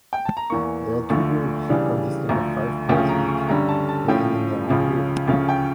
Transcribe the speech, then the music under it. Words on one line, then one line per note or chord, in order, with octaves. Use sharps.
There are two groups consisting of five pairs each playing in their own group.
G5
A5
A#5
E2 E3 A#3 C#6
D2 D3 F3 A3 C#6
C#3 E3 G3 D4
D2 D3 F3 A3 A#5
D2 C#3 F3 A3 C#4 G5
A#5
C#6
G2 D3 G3 C#4 A#5
A5
A5
A2 F3 C#4 G5
C#2 C#3 F3 C#4
D2 C#3 F3 C#4 F5
G5